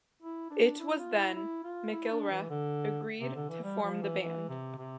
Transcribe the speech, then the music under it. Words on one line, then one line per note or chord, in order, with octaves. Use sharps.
It was then McIlrath agreed to form the band.
E4
D4
E4
F4
E4
E4
F4
E4
D4
E3
D3
C3
D3
E3
G3
F3
E3
E3
C3
C3